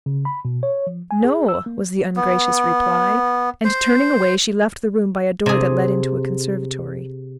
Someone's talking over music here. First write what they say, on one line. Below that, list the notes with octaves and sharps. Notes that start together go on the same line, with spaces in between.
"No," was the ungracious reply; and turning away, she left the room by a door that led into a conservatory.
C#3
B5
B2
C#5
F3
G#5
G#4
E6
A#3
B3
C5
C3 G#4